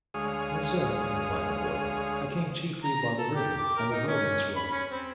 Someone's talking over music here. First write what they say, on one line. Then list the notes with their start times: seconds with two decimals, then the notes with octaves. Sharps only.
"Yes, sir," replied the boy, "I came chiefly by the river and the Wilderness Road."
0.14 D2 G#3 G#4 C#5 F5 D#6
2.84 A#5
3.18 A4
3.35 G4
3.58 D6
3.76 A#4
3.91 D#4
4.07 C#4
4.56 B5
4.71 C#4
4.90 C4